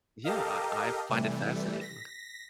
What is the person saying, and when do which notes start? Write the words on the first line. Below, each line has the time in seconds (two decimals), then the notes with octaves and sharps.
Yeah, I I find it fascinating.
0.24 G4 A4 A#4 D#5 F5
1.09 C3 E3 G3 A3
1.81 A#6 B6